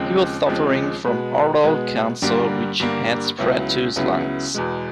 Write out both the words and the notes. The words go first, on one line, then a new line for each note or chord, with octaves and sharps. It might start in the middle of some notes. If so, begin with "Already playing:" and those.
He was suffering from oral cancer which had spread to his lungs.
Already playing: D#2 C#3 F3 G#3 C4
D#2 C#3 F3 G#3 C4
B2 G#3 B3
B2 G#3 B3
G2 D3 G3 A#3
G2 D3 G3 A#3
C#2 C#3 F#3 B3 E4
C#2 C#3 F#3 B3 E4
E2 B2 G#3